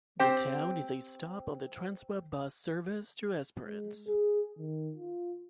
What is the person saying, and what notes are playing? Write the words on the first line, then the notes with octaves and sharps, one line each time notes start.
The town is a stop on the Transwa bus service to Esperance.
C4 G4 C5 G5
G#3
G#4
D#3
F4